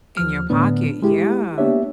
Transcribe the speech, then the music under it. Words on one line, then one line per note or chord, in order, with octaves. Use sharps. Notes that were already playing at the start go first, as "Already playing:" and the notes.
In your pocket yeah,
D#2 F3 F6
A2 D3 B3 D4
G#3 E4 G4
A#3 B3 D4 G4 C#5 E5